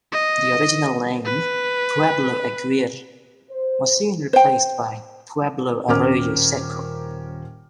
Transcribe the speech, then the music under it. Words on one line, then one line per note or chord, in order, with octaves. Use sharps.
The original name "Pueblo Aguirre" was soon replaced by "Pueblo Arroyo Seco".
D#5
B4
C5
C5 G5
D#1 C#4 A#4 C5 D6 F6